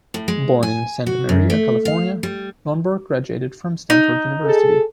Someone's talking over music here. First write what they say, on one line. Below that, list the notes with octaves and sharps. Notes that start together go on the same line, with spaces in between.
Born in Santa Maria, California, Lonborg graduated from Stanford University.
A2
G#3
G#5
F#4
F#2
A3
F5
G3
D#4
G#4 A4